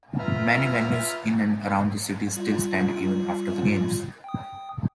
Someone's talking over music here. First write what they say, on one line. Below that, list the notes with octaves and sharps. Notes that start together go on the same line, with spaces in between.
Many venues in and around the city still stand even after the games.
F4 B4 E5 A#5 F6
G3 F4
G5 D#6